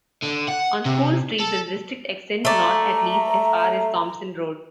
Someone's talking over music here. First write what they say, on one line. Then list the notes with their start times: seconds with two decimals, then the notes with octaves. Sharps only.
On School Street the district extends north at least as far as Thompson Road.
0.23 D3
0.49 F#5
0.86 C3
1.39 A4
2.45 A3 D5 A#5